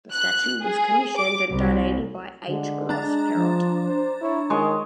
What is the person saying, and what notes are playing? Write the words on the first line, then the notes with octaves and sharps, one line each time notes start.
The statue was commissioned and donated by H. Ross Perot.
F#6
G#4
D6
C2
D3 G#3
D4 A#5 A6
F3
C5
E4 C#5
D#3 G#3 D#5 C#6